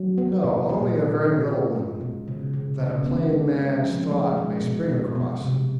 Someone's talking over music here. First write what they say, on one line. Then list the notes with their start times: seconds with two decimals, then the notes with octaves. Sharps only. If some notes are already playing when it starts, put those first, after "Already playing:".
No, only a very little one, that a plain man's thought may spring across.
Already playing: F#3
0.18 B3
0.44 A#2
0.69 A#2
0.96 B3
1.22 C#4
1.48 F4
1.75 G#3
2.01 B2
2.28 C#3
2.53 C#3
2.80 C#3
3.06 B3
3.33 G#3
3.59 C#4
3.84 F3
4.11 G#3
4.37 G#3
4.64 B2
4.89 B2
5.15 B2
5.42 C3